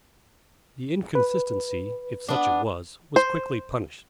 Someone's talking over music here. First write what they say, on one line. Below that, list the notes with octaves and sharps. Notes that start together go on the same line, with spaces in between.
The inconsistency, if such it was, was quickly punished.
B4
B3 D4
C5